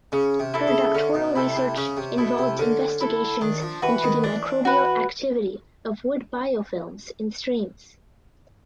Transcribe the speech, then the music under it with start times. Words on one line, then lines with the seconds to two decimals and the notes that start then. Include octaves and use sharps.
Her doctoral research involved investigations into the microbial activity of wood biofilms in streams.
0.12 C#3 C#4
0.39 C3
0.54 E4 A4
0.67 C#3
0.94 D3 C#4
1.15 B2
1.35 C3 E4 A4
1.56 C3
1.77 C#3 C#4
1.97 C3
2.18 B2 E4 A4
2.38 C3
2.59 D3 C#4
3.01 E4 A4
3.41 D#3 D4
3.62 F3
3.82 E3 F#4 B4
4.03 D#3
4.24 E3 D4
4.65 F#4 B4